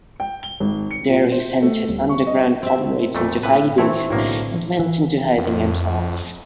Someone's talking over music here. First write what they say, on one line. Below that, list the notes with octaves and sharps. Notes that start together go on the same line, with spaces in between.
There he sent his underground comrades into hiding and went into hiding himself.
G5
G7
G#1
C#7
A#2
C5
A3
D#1
C#6
D#5
C4 E5
F2 A#2 A3
A2 B4
E3 A3 C4 C#5
B1 A2 D3 A#3
E3
F2